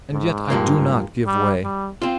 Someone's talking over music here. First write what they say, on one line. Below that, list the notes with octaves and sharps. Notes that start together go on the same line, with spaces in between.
And yet I do not give way.'
G#2
G2 F3 A#3
G3
G3
C4 F4